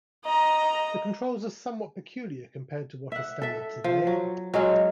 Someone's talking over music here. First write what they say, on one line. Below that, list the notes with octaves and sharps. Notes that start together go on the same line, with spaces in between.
The controls are somewhat peculiar compared to what is standard today.
D#5 A#5
E5 F#5
A4 E5
F3
F#3
F#3 G#3 C#4